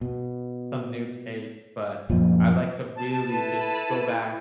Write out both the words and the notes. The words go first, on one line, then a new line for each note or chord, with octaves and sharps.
some new taste. But I like to really just go back
B2
F#2 A#2 F3
A5
E4 A4 B4